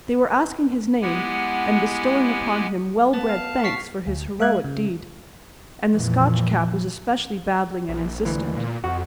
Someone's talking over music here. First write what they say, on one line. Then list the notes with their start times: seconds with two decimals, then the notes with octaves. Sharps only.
They were asking his name and bestowing upon him wellbred thanks for his heroic deed, and the Scotch cap was especially babbling and insistent.
1.02 G#3 B3 E4 G4 F#5 G#5
3.14 B3 A5
3.29 F5
3.64 C#6 B6 C7
4.06 D2
4.39 G#3 E5 F5 F#6 G#6
4.64 C#3
5.91 F2 A#2 E3 F3
7.89 A#1
8.25 D2 E3
8.38 D#2
8.57 A#2
8.84 F2 F#4